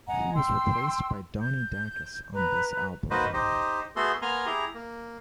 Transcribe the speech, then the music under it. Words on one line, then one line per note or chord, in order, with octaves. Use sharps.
He was replaced by Donnie Dacus on this album.
D#5 F#5 G#5 A#5
G5 C6 E6
G6
B4 A#5
A#3 D#4 F#4 B4 C5 D#5
D#4 G4 C5 D#5
A3 B3 F#4 G#4 A4 C6
A#3 B3 G#5 A#5 C6 F6
E4 G4 G#4 A#5
A#3